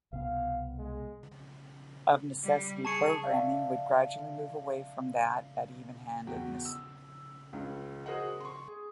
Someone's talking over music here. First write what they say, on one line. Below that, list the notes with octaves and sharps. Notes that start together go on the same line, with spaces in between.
Of necessity, programming would gradually move away from that at even-handedness.
C2 B2 B3 F5
G#3
G3
G#4 A5 C#6 C#7
D5 E5 F5 A5
E2 F#4 G5
E6
C#2 C#4
F#4 G#4 A#4 C5 D#5 F#5
C6 C#6
G#4